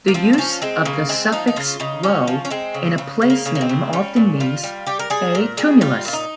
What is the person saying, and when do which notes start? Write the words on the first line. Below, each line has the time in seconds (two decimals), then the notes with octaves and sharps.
The use of the suffix "Low" in a place name often means a tumulus.
0.08 A#3
0.14 F3 C4
0.33 C4
0.38 F3 C#4
0.62 G#3 C4
0.85 C#3 A#3
1.09 G#3 C4
1.32 F3 D#4
1.47 D#4
1.56 C#3 F4
1.80 C#3 D#4
2.03 F3 C#4
2.27 F3
2.45 C#4
2.50 G#3 C4
2.74 C#3
2.98 C#3
3.22 C#3
3.30 A#3
3.45 C#3
3.55 A#3
3.61 C4
3.69 C#3
3.93 G3 C#4
4.16 A#2
4.40 G3 F4
4.63 G3
4.87 G3 G4
4.99 A#4
5.10 G3 G#4
5.35 A#2 A#4
5.57 G3 G#4
5.81 G3 F4
6.05 A#2 F4
6.13 D#4